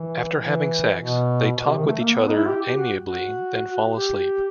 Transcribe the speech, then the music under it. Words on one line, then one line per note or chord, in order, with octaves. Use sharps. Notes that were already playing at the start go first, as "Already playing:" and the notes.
After having sex, they talk with each other amiably, then fall asleep.
Already playing: E3
E3
B2
B2
C3
D#3
A3
A#3
B3
D#4
E4
G4
G4
F#4
F#4
G4